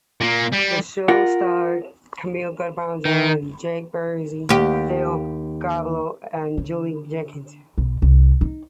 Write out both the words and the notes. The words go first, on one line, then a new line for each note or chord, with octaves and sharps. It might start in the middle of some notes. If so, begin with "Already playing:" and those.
The show starred Carmine Giovinazzo, Jake Busey, Dale Godboldo, and Jolie Jenkins.
A#2 A#3
G3
F4 A#4 F#5
D#3
D#2 G4
D3
B1
C2
D#4